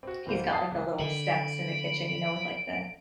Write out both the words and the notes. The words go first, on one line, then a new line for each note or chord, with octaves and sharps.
he's got, like, the little steps in the kitchen, you know, with, like, the
C4 F#4
D1 E3 A#3 C5
A5 D#6 C7
C#2
D3 B5 D7